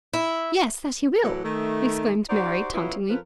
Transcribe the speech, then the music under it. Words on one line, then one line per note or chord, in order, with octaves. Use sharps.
"Yes, that he will!" exclaimed Mary, tauntingly.
E4
A2 E3 F#3
D#3 A3
D#4 F#4 G4 C5 D5
F#3 B3 C#4 E4 F4
F2 F3 A#4 B4